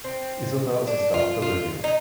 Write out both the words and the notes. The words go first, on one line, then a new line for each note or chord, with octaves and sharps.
Isabel is the star of the video.
C4
D4
F4
F4
D#4